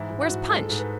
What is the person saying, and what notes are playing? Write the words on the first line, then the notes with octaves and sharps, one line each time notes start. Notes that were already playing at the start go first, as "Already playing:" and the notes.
Where's Punch?
Already playing: G#2 E3 E4
G#2
F#4
G#2
G#3 A4
G#2
B4